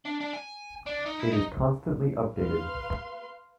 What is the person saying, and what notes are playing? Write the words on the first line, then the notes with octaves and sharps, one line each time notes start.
It is constantly updated.
D4
D4
G#5
D4
D#4
E4
D#4
B4 F5 C6